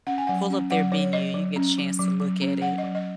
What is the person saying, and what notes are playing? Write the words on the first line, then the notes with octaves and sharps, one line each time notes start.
pull up their menu. You get a chance to look at it,"
C#4 F#5
G#5
F#3 F#5
C#4
F#3 F#5
F#3 C#5
F#3 D#5
F#3
C#4
F#3
F#3
F#3
C#4
F#3 F#5
D#5
F#3
D#5